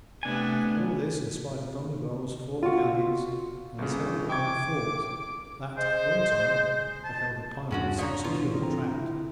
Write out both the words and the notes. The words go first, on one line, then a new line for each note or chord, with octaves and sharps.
And all this in spite of Don Miguel's four galleons and his heavily armed fort that at one time had held the pirates so securely trapped.
C3 A3 B3 D4 G#5
F4 F#4
G1 C#3
G5 C#6 D6 G#6
G#3 C5
A5
E2 G2 G#3 C#4 F#4 F#5
F3 D4 C#5 A#5
B2 E3 F4
D3 C4 A#5
E4